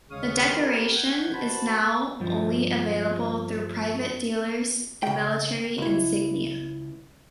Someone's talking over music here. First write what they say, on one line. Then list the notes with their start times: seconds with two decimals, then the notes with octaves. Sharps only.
The decoration is now only available through private dealers in military insignia.
0.11 D#2 C#3 G#3 C#5 F5 D#6
0.48 C#4 G4 A#4 B4
0.95 F#5 G6 G#6
1.33 F#4 B4 C5 A5 B5
2.20 G2 F3
5.03 C#3 G5
5.78 C#2 E4